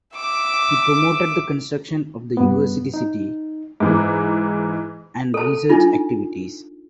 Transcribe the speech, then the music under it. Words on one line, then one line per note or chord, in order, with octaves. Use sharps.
He promoted the construction of the University City and research activities.
E5 D6
G2 B3
D#4
G#2 E3 D6
A4 A5
D4 D#4 F4